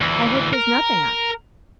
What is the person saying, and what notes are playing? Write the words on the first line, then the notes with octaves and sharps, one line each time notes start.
I hope there's nothing up.
D2 E3
A#4